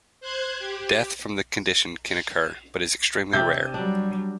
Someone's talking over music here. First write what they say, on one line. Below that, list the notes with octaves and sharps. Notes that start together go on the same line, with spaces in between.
Death from the condition can occur, but is extremely rare.
C5 F#6 G#6
G4
C3 D4 G4 G6
F#3 G3 D4